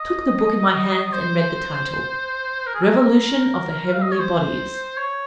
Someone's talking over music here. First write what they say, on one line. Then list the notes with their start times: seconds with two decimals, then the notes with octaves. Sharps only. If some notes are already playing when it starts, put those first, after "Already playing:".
I took the book in my hands and read the title, 'Revolution of the Heavenly Bodies.'
Already playing: D#5
1.13 C5
2.66 A#4
2.74 G#4
2.82 A#4
3.93 F5
4.02 D#5
4.11 C#5
4.20 C5
4.97 C#5